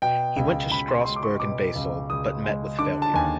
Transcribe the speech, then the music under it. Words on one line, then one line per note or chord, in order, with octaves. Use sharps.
He went to Strasburg and Basel, but met with failure.
B2 G5
C#2
C#2 B5
C6
G#3 C6
D6
C#6
B2 D6
C#2
C#2 D#6
G#3
D3 D6
A5
D#2 G#5